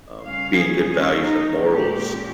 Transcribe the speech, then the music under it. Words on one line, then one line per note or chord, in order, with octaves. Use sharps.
um, being good values and morals,
C#3 G3 C#4 F5
G#4
C#4
D#4
A#2 G#3 C#4 G4